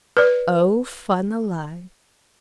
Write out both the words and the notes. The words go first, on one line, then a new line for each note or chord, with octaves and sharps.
Oh, fun alive!
B4 D5